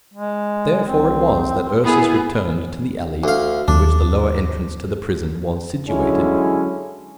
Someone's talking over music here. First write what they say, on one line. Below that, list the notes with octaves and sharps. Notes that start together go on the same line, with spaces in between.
Therefore it was that Ursus returned to the alley in which the lower entrance to the prison was situated.
G#3
C2 C4
B3 E4 G#4
D2 F5
D#2 D4
D3 F#3 G#3 C#4 E4